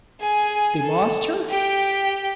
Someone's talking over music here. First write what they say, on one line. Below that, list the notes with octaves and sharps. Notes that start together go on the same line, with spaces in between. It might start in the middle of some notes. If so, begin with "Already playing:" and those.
"They lost her?"
G#4 G#5
A4
G4 G5